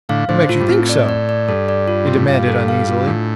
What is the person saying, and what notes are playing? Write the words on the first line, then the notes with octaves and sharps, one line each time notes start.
"What makes you think so?" he demanded uneasily.
A2 D3 F5
A2 D3 C5
A2 F4
G2
A2 C4
D5
D5
D5
G2 A4
D5
F4
C3 F4
A2
G2 F5
A4
F5
F4
A2 D4